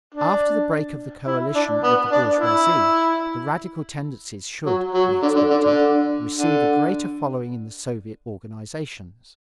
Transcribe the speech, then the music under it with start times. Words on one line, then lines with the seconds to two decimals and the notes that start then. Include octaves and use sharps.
After the break of the coalition with the bourgeoisie, the radical tendencies should, we expected, receive a greater following in the Soviet organizations.
0.14 D4
1.27 E4
1.55 D4
1.84 B3
2.12 D4
2.40 E4
4.66 F#3
4.94 F#3
5.22 D3
5.36 D3
5.51 D3
5.64 D3
6.35 D3